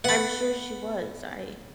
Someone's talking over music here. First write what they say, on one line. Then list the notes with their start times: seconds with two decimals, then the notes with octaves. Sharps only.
I'm sure she was. I
0.04 B3 F#5 B5